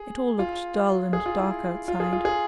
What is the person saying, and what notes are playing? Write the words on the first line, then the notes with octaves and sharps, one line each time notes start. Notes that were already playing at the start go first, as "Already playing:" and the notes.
It all looked dull and dark outside.
Already playing: G#4
F4
G#4
F4
E4
F4
G#4
F4
G#4